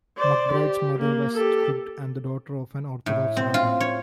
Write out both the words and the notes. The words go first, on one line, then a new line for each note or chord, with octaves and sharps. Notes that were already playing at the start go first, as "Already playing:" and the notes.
McBride's mother was strict and the daughter of an Orthodox rabbi.
C5 D5
G4
A#3
G4 A4
A2
C4
F4
C#5